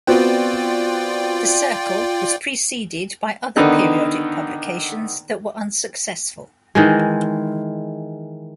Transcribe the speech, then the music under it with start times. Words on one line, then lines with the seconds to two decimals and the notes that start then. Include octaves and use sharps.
The Circle was preceded by other periodic publications that were unsuccessful.
0.07 B3 C4 F4 F#4 D5 G5
3.57 D3 D#3 B3 D#4
6.75 D#3 E3 G#3